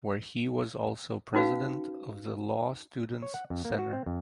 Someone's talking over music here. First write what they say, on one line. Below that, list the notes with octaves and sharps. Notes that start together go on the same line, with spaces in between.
Where he was also president of the Law Students Center.
C#4 D#4 F#4 B4 F5
C#5
F#5
F2
A#3
F#4
C4
F2